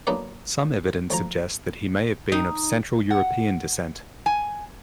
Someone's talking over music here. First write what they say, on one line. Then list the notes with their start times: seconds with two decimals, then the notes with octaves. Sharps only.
Some evidence suggests that he may have been of central European descent.
0.07 F#3 A#3 B3 D4 D#4 D5
1.10 D2 F3 A#5
2.32 D#4
3.11 F#5
4.26 G#5